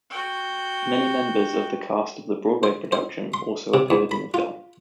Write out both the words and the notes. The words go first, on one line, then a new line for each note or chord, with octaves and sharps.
Many members of the cast of the Broadway production also appeared in the film.
F#4 G5
C5
C5
C6
C3
E2
B5
F4